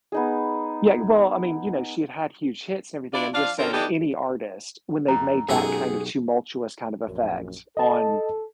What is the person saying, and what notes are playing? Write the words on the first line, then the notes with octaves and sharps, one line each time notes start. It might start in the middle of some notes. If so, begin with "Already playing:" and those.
Yeah, well, I mean, you know, she had had huge hits and everything. I'm just saying any artist when they've made that kind of tumultuous kind of effect on
B3 D#4 G#4
D4 E4 F4 D5
F3 D4 D5 F5
D3 F3 C4 C#4 A#4
E3 B3 D4 D#4 G4 A4
F2 A#5
B1 F#2 G#3 G4 G#4 F#5 E6
A#1 F#2
A4 D#5 A5